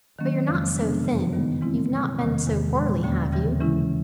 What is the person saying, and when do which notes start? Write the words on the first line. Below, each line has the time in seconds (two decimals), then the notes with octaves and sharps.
But you're not so thin--you've not been so poorly, have you?'
0.19 D#3 F#3 A#3 C#4
0.47 F2 C#3 F3 G#3 C#4
0.75 C3 F3 G#3 B3 D4
1.04 F#2 C#3 E3
1.33 D#3 G3 B3 D#4
1.61 C#3 E3 G#3 C4 E4
1.90 B2 G3 A#3
2.19 E2 C3 D#3 G3
2.47 E2 C3 D#3 G#3
2.75 A#2 F3 G#3
3.03 D#2 D3 F3 A#3 C#4
3.32 C#3 E3 G3
3.60 C#3 E3 G#3 C#4 E4